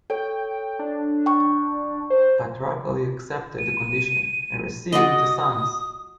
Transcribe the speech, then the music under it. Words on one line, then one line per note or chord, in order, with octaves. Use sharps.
Patrakali accepted the condition, and received the sons.
A4 C#5 G5
D4
G5 C#6
C5
D#7
F#4 D5 D#5 D#6